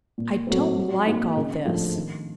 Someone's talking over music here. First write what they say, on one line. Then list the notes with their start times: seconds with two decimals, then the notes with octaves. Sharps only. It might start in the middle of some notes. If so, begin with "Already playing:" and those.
I don't like all this.
0.18 A#2
0.47 F#3 A3 C4
0.77 F#3
1.06 A#3 D#4
1.37 C#3
1.65 F3 A3 D4
1.95 D#3